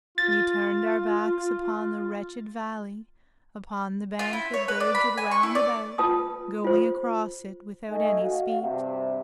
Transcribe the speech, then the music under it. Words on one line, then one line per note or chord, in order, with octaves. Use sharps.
We turned our backs upon the wretched valley, Upon the bank that girds it round about, Going across it without any speech.
F4 A6
F4
E4
C#5
B4
D5
B5
G#5
C#6
E4
D5
F4 B4 A5 D#6
F4 C5
A3 D#4 A4 D#5 E5 G#5
F#4 F5
G2 C3